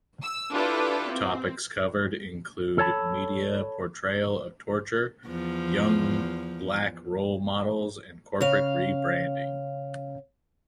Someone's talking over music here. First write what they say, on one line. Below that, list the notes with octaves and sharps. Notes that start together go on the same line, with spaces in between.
Topics covered included media portrayal of torture, young black role models and corporate rebranding.
E6
D4 E4 F4 G4 A4 B4
C4
A4 C#5 A5 B5
E2 F3
C#3 F5